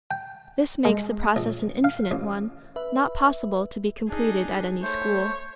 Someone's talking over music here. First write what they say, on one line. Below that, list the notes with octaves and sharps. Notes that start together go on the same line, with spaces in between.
This makes the process an infinite one, not possible to be completed at any school.
G5
G#3
A#1
F5
A1
B4 E5
D4 D#4 G#4
A3 C5 C#5